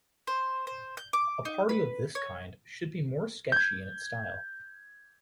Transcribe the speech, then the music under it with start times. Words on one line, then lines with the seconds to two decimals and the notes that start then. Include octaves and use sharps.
A party of this kind should be more sketchy in its style.
0.27 C5
0.67 C5
0.97 G6
1.13 D6
1.45 D#4
1.69 B4
2.15 C#5
3.52 G6 G#6